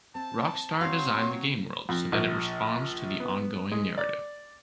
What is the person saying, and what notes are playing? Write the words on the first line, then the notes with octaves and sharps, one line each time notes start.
Rockstar designed the game world so that it responds to the ongoing narrative.
C4 A5
F#3 C4 F5 C6
C#5
F2
A#1
B3
G#3
D5